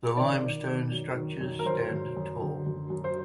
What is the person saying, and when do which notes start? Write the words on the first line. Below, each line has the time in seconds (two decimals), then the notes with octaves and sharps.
The limestone structures stand tall.
0.17 D#3 D5
0.42 D#3
0.67 D#3
0.92 F#2
1.16 D#3
1.41 F#2
1.59 A#4
1.66 F#2 C5
1.91 F#2
2.17 F#2
2.41 D3
2.66 F#2
2.90 F#2
3.04 C5